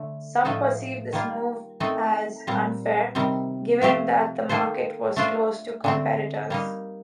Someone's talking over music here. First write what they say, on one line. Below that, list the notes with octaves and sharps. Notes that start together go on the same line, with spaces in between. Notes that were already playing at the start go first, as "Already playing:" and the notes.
Some perceived this move as unfair, given that the market was closed to competitors.
Already playing: D3 A3
A2 F3 A3 D#4 A4
D#3 G3 A#3 F4
D#3 A3 C4 D#4 A4
A#2 G3 C4
C3 D#3 G3 C4
F3 A3 C4 G4 C5
D#3 A#3 D#4 A4 C5
A3 D4 F4 C5
D3 A3 C4
G3 A#3 D#4